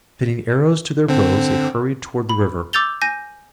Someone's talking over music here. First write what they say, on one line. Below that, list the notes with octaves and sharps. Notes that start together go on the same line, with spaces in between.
Fitting arrows to their bows they hurried toward the river.
D3 C4
B5
D6 E6 G6 A6 F7 G7
G#5 G6 A#6 D#7